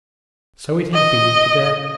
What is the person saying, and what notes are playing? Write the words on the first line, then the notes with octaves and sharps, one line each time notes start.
So it had been today.
D#5